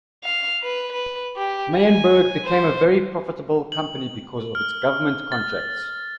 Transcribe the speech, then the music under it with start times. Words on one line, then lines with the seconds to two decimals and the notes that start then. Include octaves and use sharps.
Meyenberg became a very profitable company because of its government contracts.
0.24 F5
0.63 B4
0.92 B4
1.36 G4
1.77 G#5
2.45 C5
3.72 F#7
4.55 F6
5.32 A6